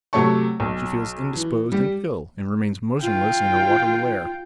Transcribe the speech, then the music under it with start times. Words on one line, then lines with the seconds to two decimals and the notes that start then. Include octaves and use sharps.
She feels indisposed and ill, and remains motionless in her watery lair.
0.13 C3 F#3 A3 C#5 A5 C#6
0.60 B1
1.36 E3
1.72 G3 G4
3.02 F4 G5